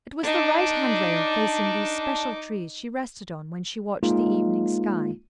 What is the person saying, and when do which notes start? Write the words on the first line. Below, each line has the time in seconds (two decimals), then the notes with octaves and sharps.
It was the right-hand rail facing these special trees she rested on when she watched the evening sky.
0.24 D4 D#4 D6
4.03 G#3 A#3 D#4 F4